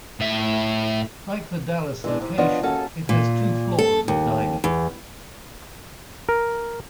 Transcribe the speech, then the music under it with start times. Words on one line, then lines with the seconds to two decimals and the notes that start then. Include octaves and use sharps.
Like the Dallas location, it has two floors of dining.
0.20 A2 E5
2.04 E3 G#3 D4
2.21 G#2 C3
2.38 F3 B3 D4 F4 C#5 D#5
2.63 D#2 C#4 F#4 A4 A5
3.09 A#2
3.79 A4
4.08 D#2
4.64 E2
6.29 A#4